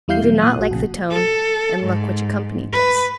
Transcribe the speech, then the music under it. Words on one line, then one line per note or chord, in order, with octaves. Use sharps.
He did not like the tone and look which accompanied this.
E2 G3 E4 F5 G6 C7
B2 E3 F#3
A#2 D#6 F#6
A#1 F#4
A#1 C#3
A4
G#2
B4